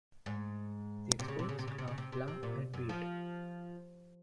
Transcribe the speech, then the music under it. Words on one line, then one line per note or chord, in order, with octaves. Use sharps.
The exports are flour and wheat.
G#2
C3
C#3
C3
C#3
C3
C#3
C3
C#3
C3
C3
C3
A#2
F#2
F3